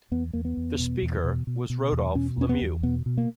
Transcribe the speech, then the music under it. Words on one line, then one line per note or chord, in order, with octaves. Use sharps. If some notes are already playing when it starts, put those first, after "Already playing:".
The Speaker was Rodolphe Lemieux.
E2 B3
E2 A#3
B3
E2
B2
E2
B2
B2
B2
E2
B2 C#4
E2 C#4
B3
E2
B2 B3
B2
A#3